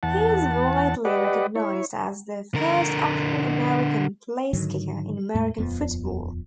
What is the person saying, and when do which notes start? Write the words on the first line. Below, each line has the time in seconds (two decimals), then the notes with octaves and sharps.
He is widely recognized as the first African American placekicker in American football.
0.03 E2 F#5 A5
1.05 G4 B4 D5 D#5 F#5
1.56 E4 C#5
2.55 D3 A#4
4.53 G#2 D3 D#3 F#3
5.34 E2 A2 G#3 A3
5.57 D#1 F2 F3 B3